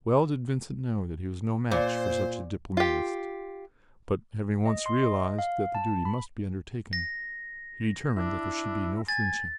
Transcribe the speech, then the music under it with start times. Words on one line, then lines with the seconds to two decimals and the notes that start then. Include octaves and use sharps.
Well did Vincent know that he was no match for such a diplomatist; but having once realized that the duty must be undertaken, he determined that there should be no flinching.
1.71 A#2 C5
2.77 F4 G4
4.66 D#5
4.86 C6
5.03 D#5
5.39 F5
5.75 A5
6.05 B5
6.93 A#6
8.17 D4 E4
9.09 G#5 A6